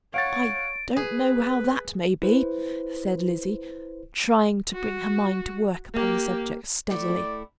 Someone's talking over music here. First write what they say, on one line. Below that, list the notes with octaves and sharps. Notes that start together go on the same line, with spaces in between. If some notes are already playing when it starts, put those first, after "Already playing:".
"I don't know how that may be," said Lizzie, trying to bring her mind to work upon the subject steadily.
C#5 F5 F#5 A6 D7
G#4 B4
E4 B4 C5
F#4
A#3 G4
A2 A3 E4 D5